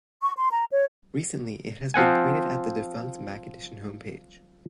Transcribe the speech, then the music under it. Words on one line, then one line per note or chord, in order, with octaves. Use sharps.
Recently, it has been pointed at the defunct MacEdition homepage.
C#6
C6
A#5
C#5
F3 C4 F#5 G#5